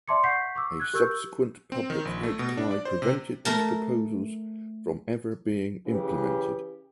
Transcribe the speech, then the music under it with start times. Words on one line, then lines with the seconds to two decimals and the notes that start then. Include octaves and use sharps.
A subsequent public outcry prevented these proposals from ever being implemented.
0.08 D5 E5 A5 C6 D6 C#7
0.24 F#5 C#6 G6 B6 C7
0.55 C#6 D6 E6
0.80 F#6 G#6
0.94 G4 A#4 C#6 E6 G6
1.72 C4
1.90 D#3
2.05 A#1
2.23 A3
2.39 B2
2.57 D4
2.71 D5
2.85 C5
3.02 C3
3.45 A3 A#4 A5
5.87 C#3 E3 G4 B4